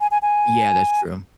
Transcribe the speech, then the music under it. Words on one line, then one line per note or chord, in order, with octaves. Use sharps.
Yeah, that's true.
G#5
G#5
G#5